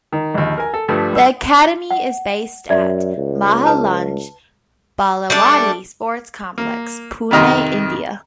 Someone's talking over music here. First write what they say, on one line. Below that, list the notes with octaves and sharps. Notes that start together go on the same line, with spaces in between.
The academy is based at the Mahalunge - Balewadi Sports Complex, Pune, India.
D#3
A#1 D#2
A#4 G#5
A4
G2 F3 G3 A3
B1 E6
F#5
F#2 D5 E5
C#2
B4 A5
G3 A3 D4
A#3
F2 C3 D#3 D#5 C6